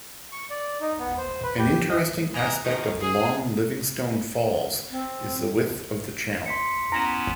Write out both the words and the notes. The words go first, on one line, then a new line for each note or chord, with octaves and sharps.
An interesting aspect of the long Livingstone Falls is the width of the channel.
C#6
D5
D#4
B3
C5
B4
G4
D#5
E3 D#5 A#5
B2 D#3 F3 D#4 G#4 A#5
G#4
C4
C6 B6 C#7
B3 C#4 E4 A#5 D7 E7